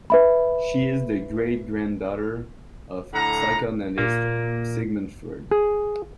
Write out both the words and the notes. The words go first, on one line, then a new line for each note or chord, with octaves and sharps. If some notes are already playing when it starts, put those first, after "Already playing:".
She is the great-granddaughter of psychoanalyst Sigmund Freud.
B4 E5 B5
A2 D3 F#5 A#5
A#2 A#3
G#4